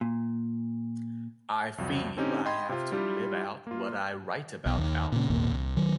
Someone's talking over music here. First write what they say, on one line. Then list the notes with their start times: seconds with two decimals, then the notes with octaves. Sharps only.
I feel I have to live out what I write about out.
0.01 A#2
1.78 C2 F2 F#3
2.17 D3 C4 C#4 D#4 G4
2.45 D#5 G5 B5 C6 G#6
2.69 C3 C4 F4
2.92 G3 D4 E4 F4 G4
3.67 A#3 F4
4.66 B1
4.78 D#2
5.12 A#2 C#3
5.30 G#1 D#2 A#2
5.51 C2
5.77 D#3 F#3